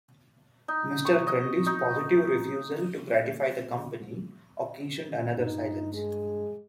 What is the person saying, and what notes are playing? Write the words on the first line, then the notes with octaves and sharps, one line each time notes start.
Mr. Grundy’s positive refusal to gratify the company occasioned another silence.
D#4
C#6
D#5
D#4
G2 D#4
G#3